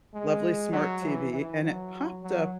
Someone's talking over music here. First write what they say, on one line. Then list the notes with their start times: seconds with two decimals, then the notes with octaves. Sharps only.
lovely smart TV and it popped up
0.14 G#3
0.73 F#3
1.03 E3
1.33 E3
1.63 F#3
2.23 F#3